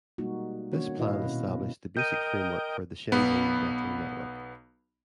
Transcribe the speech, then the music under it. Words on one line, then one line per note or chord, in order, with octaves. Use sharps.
This plan established the basic framework for the Shenzhen Metro network.
B2 G3 G#3 A#3 D#4 F#4
D#3 A#3 C#4 D4 F#4 C#5
A#2 E4 B4 D#5 F5
B2 C#4
A#4 D#5 G5 G6 D#7
B1 B3 B5